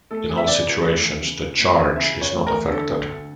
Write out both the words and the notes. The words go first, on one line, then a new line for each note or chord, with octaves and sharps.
In all situations, the charge is not affected.
A3 A4
E3
E5
C#3 D5
C#2
A3
E3
C#3
C#2
A3
E3
C#3 E5
C#2
C#5
A3
A#4
E3
D3 A4
D2
D2